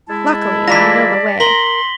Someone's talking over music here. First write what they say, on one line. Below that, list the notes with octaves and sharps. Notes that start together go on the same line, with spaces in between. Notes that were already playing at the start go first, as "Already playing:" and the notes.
Luckily, I know the way.'
G#3 E4 A5
E3 A#3 F4 D5 A#6 B6
A#4 C6 B6 F#7 G7